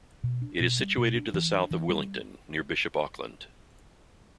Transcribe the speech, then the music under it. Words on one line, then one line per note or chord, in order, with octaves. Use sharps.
It is situated to the south of Willington, near Bishop Auckland.
B2
D4
B2
G3
B2
D4
E3
D4
E3
G3